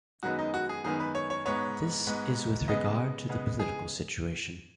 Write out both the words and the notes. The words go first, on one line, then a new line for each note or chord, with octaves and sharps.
This is with regard to the political situation.
F#2 D#3 G#3 B3 F#4
D#4
F#4
G#4
F#2 D#3 G#3 B3 G#4
B4
C#5
C#5
G#2 G#3 B3 C#5
G#2 G#3 B3
C#3 G#3 B3 D#5
C#3 G#3 B3
G#4